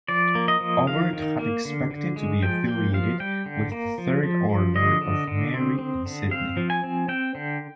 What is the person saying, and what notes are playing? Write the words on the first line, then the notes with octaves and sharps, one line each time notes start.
Aubert had expected to be affiliated with the Third Order of Mary in Sydney.
F3 D5
A#3
D#5
F3
D#3 F5
D#3
A#3
D3
D3
G#3
F3 G5
A#3 G5
F3 F5
G3 G5
D3
A#3
F3
F3
F3
D3 D#5
D3
D3
C4
C4
D3
C4 F5
F3
G#5
C4
C4 G5
D3